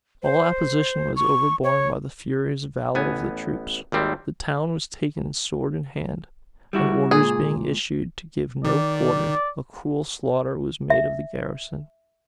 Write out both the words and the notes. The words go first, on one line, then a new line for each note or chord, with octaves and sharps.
All opposition was overborne by the furious valor of the troops. The town was taken sword in hand; and orders being issued to give no quarter, a cruel slaughter was made of the garrison.
C5
C#6
C#5
A1 B3 G#5
G#1 D#2 G3 C4
G3 E4 F#4
C#2 A#2 G#4
D#3 D5
E5